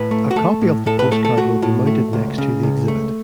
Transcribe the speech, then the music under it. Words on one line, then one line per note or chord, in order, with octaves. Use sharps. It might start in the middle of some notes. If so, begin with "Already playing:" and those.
A copy of the postcard will be mounted next to the exhibit.
Already playing: A2 B4
A3
F#4
A3 A4
A2
A2 A4
B4
A3 A4
A4
A3 F#4
A2
A3
C#2
C#3
C#2
A3